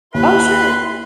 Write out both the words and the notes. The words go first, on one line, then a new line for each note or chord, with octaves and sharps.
Oh, sure.
D#2 E4 B4 C6